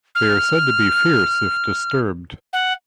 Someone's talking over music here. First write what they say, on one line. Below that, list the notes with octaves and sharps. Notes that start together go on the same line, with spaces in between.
They are said to be fierce if disturbed.
F6
F#5